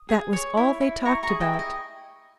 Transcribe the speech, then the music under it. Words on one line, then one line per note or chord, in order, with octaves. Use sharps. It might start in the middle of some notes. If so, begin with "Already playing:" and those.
That was all they talked about.
Already playing: D#6
G#4
C#5
E4
E4
E4 A#5 C#6
A#5 C#6
G#4
D#5 G5
E4
D#5